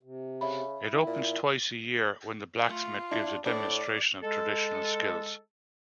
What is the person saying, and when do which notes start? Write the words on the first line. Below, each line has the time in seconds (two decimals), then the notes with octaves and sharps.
It opens twice a year when the blacksmith gives a demonstration of traditional skills.
0.03 C3
0.41 C#3 E5 B5
0.90 E4
1.07 A#2
2.69 A3 F4
3.11 D4 E4
3.46 A2 D4 C5 D5
4.23 G#3 A4